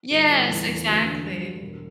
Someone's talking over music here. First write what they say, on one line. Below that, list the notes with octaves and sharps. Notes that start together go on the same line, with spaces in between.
Yes, exactly.
G1
G1
E2
E2
D2
D3
G2
G3
E1